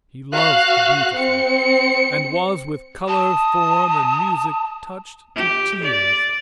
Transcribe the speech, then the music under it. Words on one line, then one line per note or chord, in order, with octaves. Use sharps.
He loved the beautiful and was with color, form and music touched to tears.
F#4 F5 F#6
C4 C#7
A5 D#6
G4
D5